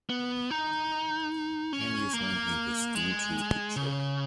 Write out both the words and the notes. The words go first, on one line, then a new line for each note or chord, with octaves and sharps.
Can you find me the SchoolTool picture?
B3
D#4
C#4
A#3
G#3
C#3